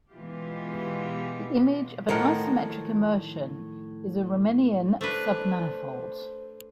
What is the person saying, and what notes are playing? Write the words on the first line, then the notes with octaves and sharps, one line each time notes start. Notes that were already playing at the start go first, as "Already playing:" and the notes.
The image of an isometric immersion is a Riemannian submanifold.
B2 E3 G#3 F4 G4
A2 D#3 F3 D#4 A#4 F#5
A3 D4 B4 C5